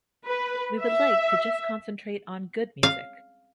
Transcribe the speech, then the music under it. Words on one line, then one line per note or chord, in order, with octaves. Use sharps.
We would like to just concentrate on good music.
B4
E5
F5